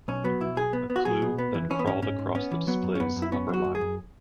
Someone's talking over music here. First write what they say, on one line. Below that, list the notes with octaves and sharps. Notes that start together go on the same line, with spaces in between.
A clue then crawled across the display's upper line.
B1 C#4
F#3 B3
B2 E4
B1 G#4
B3
B3
F#4
F#3 G#4
B2
B3
E3
E3 C#4
B3
G#2 C#4
G#2 C#4
G#2
B3 C#4
E3
F#3 B3
F#2
C#4
F#2 B3
F#2
E4
B3 C#4
F#3 F#4
F#2
G#4
F#2